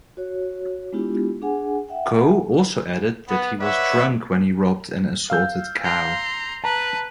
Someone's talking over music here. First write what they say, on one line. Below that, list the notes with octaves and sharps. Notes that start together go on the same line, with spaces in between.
Kho also added that he was drunk when he robbed and assaulted Cao.
F#4 C#5
G#3 B3 D4 E4 F4 G4
D4 G#4 F#5 G#5
E5 F#5 G5
B3
B4 C#5 D5 E5 F#5
F5 E6 G6
A#5 C6
B4 A5 A#5